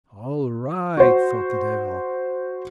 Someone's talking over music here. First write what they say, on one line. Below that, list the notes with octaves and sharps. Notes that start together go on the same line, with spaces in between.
"All right," thought the Devil.
F#4 C5